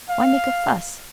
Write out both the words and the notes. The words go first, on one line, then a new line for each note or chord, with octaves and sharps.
Why make a fuss?
F5